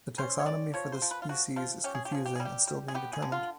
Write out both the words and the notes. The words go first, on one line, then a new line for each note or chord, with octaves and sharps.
The taxonomy for this species is confusing and still being determined.
C#4 C5
C#5
G#3 D5
F3 C#5
C5
F3
B4
F4
F3 F#4
F3 F4
C#4 G4
G#4
G4
F3 G#4
G4
G3 G#4
G4
G3
G#4
B3 G4
G#4
D3
F4